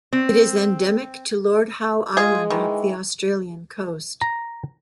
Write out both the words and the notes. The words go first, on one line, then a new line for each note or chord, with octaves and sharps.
It is endemic to Lord Howe Island off the Australian coast.
C4
G#3 F4 G#4
D#3 E3
A#5